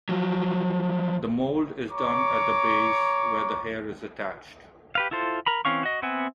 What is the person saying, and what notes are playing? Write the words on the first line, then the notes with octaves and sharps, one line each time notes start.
The mold is done at the base where the hair is attached.
F3 F#3
C#5 A#5 C#6 D6
G4 B4 F5
E4 F4 A4 C5
A#4 A#5 B5
E3 C4 C#4 F5 C#6
F#4 D#5
B3 C4 E5 F#5 G#5